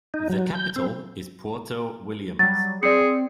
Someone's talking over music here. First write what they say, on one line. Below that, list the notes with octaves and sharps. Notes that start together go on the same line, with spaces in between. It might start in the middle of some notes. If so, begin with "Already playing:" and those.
The capital is Puerto Williams.
D#4
F#3
G6
C4
F#3 G3 A6
C4 G#4 D5 C#7